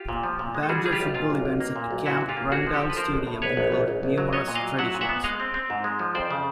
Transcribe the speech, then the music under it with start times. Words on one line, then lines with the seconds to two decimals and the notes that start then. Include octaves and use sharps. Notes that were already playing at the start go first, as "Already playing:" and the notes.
Badger football events at Camp Randall Stadium include numerous traditions.
Already playing: F4 G4
0.09 A#2
0.23 F3
0.39 A#2
0.55 G#3
0.63 A4
0.69 G3 F#4 G#4
0.85 G3 G#4
0.92 F4 G4
1.00 B1
1.14 A#2 F4
1.30 B1
1.45 B1
1.60 A#3
1.76 A#2
1.91 B1
2.06 A#2 E4 F#4
2.21 A#2
2.29 F4 G4
2.37 A#3
2.51 A1 F#4 G#4
2.67 F3
2.74 G4 A4
2.81 F3
2.90 B4
2.96 F3 A#4 C5
3.12 A1
3.27 A2
3.42 A#1 B4 C#5
3.57 A#1
3.72 A#1
3.88 A#1
4.03 A#1
4.18 F#3
4.33 B3 C#5 D#5
4.48 A#2
4.55 D#5 F5
4.63 F#3
4.79 F#3 E5 F#5
4.94 A#2
5.01 E5 F#5
5.09 B3
5.24 G#3 D#5 F5
5.40 C4
5.54 C4
5.70 G#2
5.84 G#3
5.99 F3
6.15 F2 C5 D5
6.31 C#3